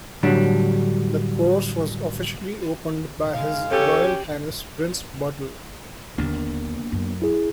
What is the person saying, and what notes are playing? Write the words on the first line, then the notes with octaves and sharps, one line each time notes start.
The course was officially opened by His Royal Highness Prince Bertil.
A2 D3 F#3 G3 D4
G#3 D#4 F5
C#4 G4 A4
D#2 D3 A#3 B3 D4
F#2
E4 G#4